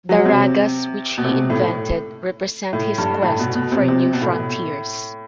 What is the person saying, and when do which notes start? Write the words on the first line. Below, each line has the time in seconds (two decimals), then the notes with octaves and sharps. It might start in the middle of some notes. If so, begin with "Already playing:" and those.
The ragas which he invented represent his quest for new frontiers.
0.09 F#3
0.25 C3
1.18 B2
1.24 C3
1.50 A2
1.61 A2
2.73 A2
2.98 G2
3.22 A2
3.39 B2
3.55 B2
3.72 C3
3.88 C3
4.13 B2
4.21 A2